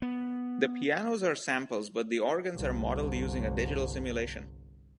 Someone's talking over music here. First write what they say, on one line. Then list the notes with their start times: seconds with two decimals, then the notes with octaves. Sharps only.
The pianos are samples but the organs are modeled using a "digital simulation".
0.02 B3
2.56 G1 C2